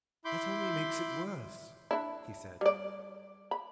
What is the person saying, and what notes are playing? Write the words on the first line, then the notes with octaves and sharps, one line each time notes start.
"That only makes it worse," he said.
E4 B5 C6 D6 G6
D4 E4
G3 D5
B5